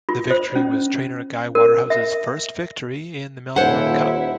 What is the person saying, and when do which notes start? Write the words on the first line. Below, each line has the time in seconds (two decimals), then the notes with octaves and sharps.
The victory was trainer Gai Waterhouse's first victory in the Melbourne Cup.
0.09 F4
0.30 C5
0.56 C#4
1.55 A#4
1.90 E5
3.56 D#1 E4 C5 C#5 F#5